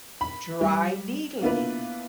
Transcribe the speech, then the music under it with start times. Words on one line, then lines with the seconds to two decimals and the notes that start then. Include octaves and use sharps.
dry needling?"
0.21 B5
0.61 G3
1.41 A#3 B3 D4 E4 F4 B4